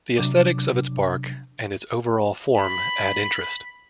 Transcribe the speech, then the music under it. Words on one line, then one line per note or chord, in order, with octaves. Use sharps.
The aesthetics of its bark and its overall form add interest.
C3 F#3 D4 D6
B5